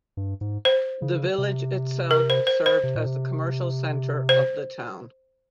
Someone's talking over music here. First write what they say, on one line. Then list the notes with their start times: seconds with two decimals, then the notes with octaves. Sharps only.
The village itself served as the commercial center of the town.
0.17 G2
0.41 G#2
0.65 C5
1.02 C#3
1.38 C3
2.11 A#4
2.30 C5
2.47 C5
2.66 C5
2.83 C3
2.95 A#2
3.06 C3
4.29 C5